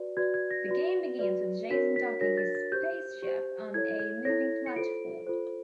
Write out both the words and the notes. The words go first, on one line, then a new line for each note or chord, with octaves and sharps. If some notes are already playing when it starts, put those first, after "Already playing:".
The game begins with Jason docking his spaceship on a moving platform.
Already playing: F#4 B4 D5
F#4 B4 D5 G#6
G#6
A#6
F#4 B4 D5
F#4 B4 D5
D4 F#4 A#4 C#5 B6
B6
D4 F#4 A#4 C#5 A#6
A6
A6
G4 C5 G6
G4 C5
E4 A4 C#5 G#6
G#6
E4 A4 C#5 A#6
C#7
F4 A4 C5 D7
F4 A4 C5